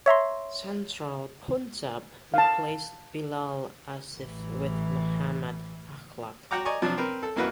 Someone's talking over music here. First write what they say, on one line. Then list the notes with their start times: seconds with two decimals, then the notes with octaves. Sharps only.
Central Punjab replaced Bilal Asif with Muhammad Akhlaq.
0.06 C#5 E5 A#5 C6
2.34 F5 A5
4.16 A1 E3
6.51 F#4 F#5 G5 A#5 D6
6.65 D5 D#5 G#5 A#5 C#6
6.82 C3 F3 F#3 D4
6.98 C4 A#4 B4
7.23 A4
7.36 A1 F2 A#3 E4 F#4 B4